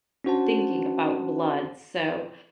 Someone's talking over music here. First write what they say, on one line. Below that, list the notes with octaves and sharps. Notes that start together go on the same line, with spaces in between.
thinking about blood, so,
C#4 D4 F#4 C5 F#5 A5